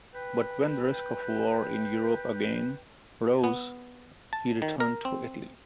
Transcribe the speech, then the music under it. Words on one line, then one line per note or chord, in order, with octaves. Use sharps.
But when the risk of war in Europe again rose, he returned to Italy.
B4 G5
B3
A5
D#3
A#4
C4